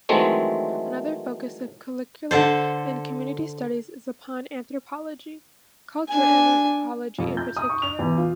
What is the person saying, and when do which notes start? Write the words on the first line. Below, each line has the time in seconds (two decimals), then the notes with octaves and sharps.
Another focus of curricula in community studies is upon anthropology, cultural anthropology in particular.
0.09 D#3 E3 F#3 G#3 A3 C4
2.31 D3 A4 C5
6.09 D4 G#5
7.19 F2
7.37 G6
7.57 D#6
7.69 C#6
7.82 F7
7.99 E2
8.17 F4